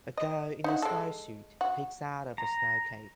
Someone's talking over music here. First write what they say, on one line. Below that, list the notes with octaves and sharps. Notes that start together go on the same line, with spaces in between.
A girl in a snowsuit peeks out of a snow cave.
D#5
D#4 E4 F#4
G#3 A4
F#4
A#5